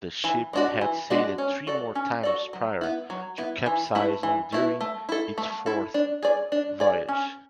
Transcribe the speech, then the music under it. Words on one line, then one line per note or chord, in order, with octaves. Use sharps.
The ship had sailed three more times prior to capsizing during its fourth voyage.
E3
G#3 D4 F#4
E3
G#3 D4 F#4
C#4
F#4 A4 D5
C#4
F#4 A4 D5
F#3
B3 E4
F#3
B3 E4
E3
A3 E4 B4
E3
A3 E4 B4
A3
E4 A4
A3
E4 A4
D4
G#4 D5
D4
G#4 D5
C#4